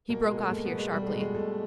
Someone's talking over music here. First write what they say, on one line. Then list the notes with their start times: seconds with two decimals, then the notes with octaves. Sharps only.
He broke off here, sharply.
0.09 B2 A#3
0.23 G#3
0.31 B2
0.37 A3
0.50 B2 A#3
0.65 B3
0.72 B2
0.79 G#3
0.92 B2 G3
1.02 A3
1.06 G#3
1.14 B2
1.20 G#3
1.34 B2 A3